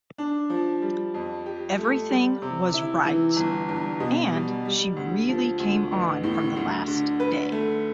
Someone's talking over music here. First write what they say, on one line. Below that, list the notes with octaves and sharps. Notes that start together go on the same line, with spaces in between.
Everything was right and she really came on from the last day.
D4
F3
G3
F2
G4
A3
G3
C3
E4
E3
G1
G2
B2
G3
G3
D2
F3
D2
A1
A2
D2
D3
B4
A3